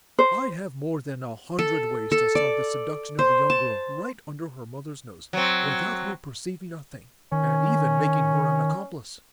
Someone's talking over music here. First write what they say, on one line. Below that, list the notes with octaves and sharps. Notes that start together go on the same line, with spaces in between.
I have more than a hundred ways to start the seduction of a young girl right under her mother's nose, without her perceiving a thing, and even making her an accomplice.
C5
A4
A4
D5
C5
A5
F#3 C4
D#3 C#4